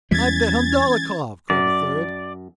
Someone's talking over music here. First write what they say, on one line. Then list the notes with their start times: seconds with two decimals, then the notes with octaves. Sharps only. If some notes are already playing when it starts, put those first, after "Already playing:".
"I bet on Dolokhov!" cried a third.
0.11 E2 E3 G3 G#3 C#4 G#6 A6 B6
1.50 F#2 D5